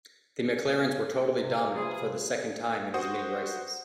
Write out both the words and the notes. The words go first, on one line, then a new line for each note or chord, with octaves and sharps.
The McLarens were totally dominant, for the second time in as many races.
C3
F4 G#4 B4 C5
F#4 C5 F#5 D#6